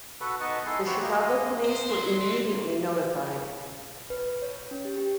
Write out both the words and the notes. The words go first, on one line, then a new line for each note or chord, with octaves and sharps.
The Chicago police were immediately notified.
F#4 A4 B4 F#5
B3 D#4 B4 D#5 A5 C#6
D#4 E4 G#4 A4 C6
C4 E4 F#4 G4 C#5
A#3 D#5
C5
F#3 C6
E3
B4
C#5
C#4
G4
G4